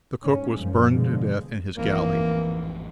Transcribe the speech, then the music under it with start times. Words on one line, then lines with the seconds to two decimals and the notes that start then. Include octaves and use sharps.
The cook was burned to death in his galley.
0.24 G#2 C#4
0.57 F#2 F3
0.92 B2 D3 F3 G#3
1.77 A1 F2 G#2 E3 A#3